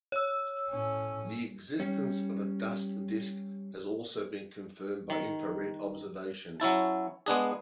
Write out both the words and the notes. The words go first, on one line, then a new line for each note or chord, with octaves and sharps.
The existence of a dust disk has also been confirmed by infrared observations.
C#5 E6
A2 C#4
G3 C#4
D#3
F#3 C#4 E4 A5
G#3 B3 D4 G#4